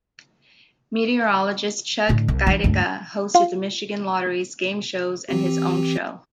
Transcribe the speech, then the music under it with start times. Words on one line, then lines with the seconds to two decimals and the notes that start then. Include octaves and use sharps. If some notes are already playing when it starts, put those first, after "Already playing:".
Meteorologist Chuck Gaidica hosted the Michigan Lottery's game shows and his own show.
2.09 A2 D3
2.28 C2
2.47 E3 D4
2.64 D2 G2
3.34 F4
5.29 E3 C4 G4